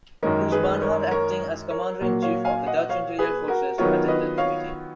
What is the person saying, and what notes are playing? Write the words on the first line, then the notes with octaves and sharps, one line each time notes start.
Prince Bernhard, acting as commander-in-chief of the Dutch Interior Forces, attended the meeting.
F#2 D#3 G#3 D#4 A#4 C#5
G#4 B4
A#4 C#5
A#4 C#5
A#4 C#5
A#2 F#3 A#3
C#5 F5
F5 G#5
D#5 F#5
C#5 F5
G#4 B4
F#4 A#4
D#3 F#3 B3 F4 A#4 C#5
B4 D#5
C#5 F5